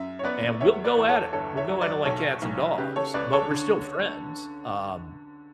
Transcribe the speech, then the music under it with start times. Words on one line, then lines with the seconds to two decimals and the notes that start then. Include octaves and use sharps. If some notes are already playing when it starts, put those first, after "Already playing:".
and we'll go at it, we'll go at it like cats and dogs, but we're still friends, um,
Already playing: F#2 E5
0.19 C#5
0.23 B3 B4 D5
0.60 E2 C#5 E5
0.84 B4 D5
0.97 E2
1.09 A4 C#5
1.33 G1 A4 C#5
1.57 C#5 E5
1.69 F#3
1.81 B4 D5
2.05 B1 A4 C#5
2.42 B1
2.78 C#3 G4 B4
2.96 A4 C#5
3.14 C#2 B4 D5
3.33 A4 C#5
3.51 D3